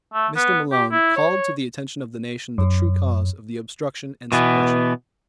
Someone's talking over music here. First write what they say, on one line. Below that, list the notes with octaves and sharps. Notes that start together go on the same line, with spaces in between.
Mr. Malone called to the attention of the nation the true cause of the obstruction and suppression.
A3
B3
G4
E4
C#5
F#2
B2 E3 B3